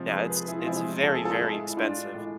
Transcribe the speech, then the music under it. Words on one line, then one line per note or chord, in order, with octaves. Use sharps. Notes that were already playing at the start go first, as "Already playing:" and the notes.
Yeah, it's it's very, very expensive.
Already playing: C3 F3 G#3
G#4 B4
G#4 B4
E4 G#4
F4
C3 F3 G#3 E4 G#4
A4
G#4
F4 A4
A2 G#3 E4 G#4
E4
D4 F4
A2 G#3